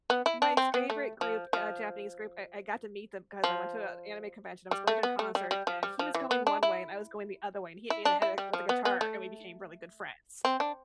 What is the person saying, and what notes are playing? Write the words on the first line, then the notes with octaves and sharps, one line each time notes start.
My favorite group uh, Japanese group, I I got to meet them 'cause I went to a anime convention. I was going to a concert, and he was going one way, and I was going the other way, and he hit me in the head, like, with a guitar, and we became really good friends.
B3
E4
D4
C4
B3
A3
F3
F3
F3
G3
A3
B3
A3
G3
G3
F3
G3
F3
E3
B3
D4
E4
E4
D4
E4
G3
F3
B3
B3
A3
C4
D4